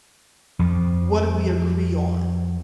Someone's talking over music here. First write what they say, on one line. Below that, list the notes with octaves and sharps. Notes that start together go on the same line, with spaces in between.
What do we agree on."
F2 F3